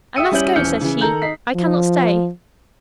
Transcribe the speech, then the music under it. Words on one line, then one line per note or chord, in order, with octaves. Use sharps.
'I must go,' said he, 'I cannot stay.
E5 G5 D#6 E6 C#7 D#7
G3 C#4 E4 C#5 G6 F#7
D#1 E3 C#4 F6 G6 C#7
C#3 E3
D#3 A4 A#5 G6 F#7
D#4 B6 C7
F3